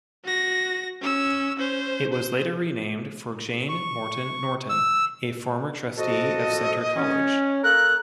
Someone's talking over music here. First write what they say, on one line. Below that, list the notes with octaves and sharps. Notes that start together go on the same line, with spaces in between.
It was later renamed for Jane Morton Norton, a former trustee of Centre College.
F#4 A#6
C#4 E6
C#4 C5
C5
C#6
E6
F2 F#4 A4 D#5
C#4
A#3 A4 A#4 F#6